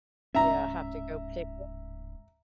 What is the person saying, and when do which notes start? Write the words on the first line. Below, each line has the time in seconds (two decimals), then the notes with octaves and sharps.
Yeah, have to go pick it.
0.35 D1 G#2 C#4 E5 A#5